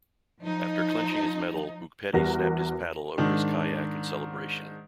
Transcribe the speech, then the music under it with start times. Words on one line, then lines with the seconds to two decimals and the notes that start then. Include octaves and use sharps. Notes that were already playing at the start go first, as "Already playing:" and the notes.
After clinching his medal Boukpeti snapped his paddle over his kayak in celebration.
0.42 F3 D#4
2.13 E2 G3 F#4 A#4 A#6
3.18 G#2 D#3 D4